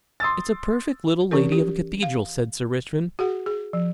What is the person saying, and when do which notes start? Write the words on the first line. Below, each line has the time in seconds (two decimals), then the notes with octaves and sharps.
"It's a perfect little lady of a cathedral," said Sir Richmond.
0.20 C6 D#6 E6 A6
1.31 E3 C#4 G4 A#4
1.52 G4
2.03 F5
3.19 F#4 G#4 F#5
3.46 G#4
3.73 F3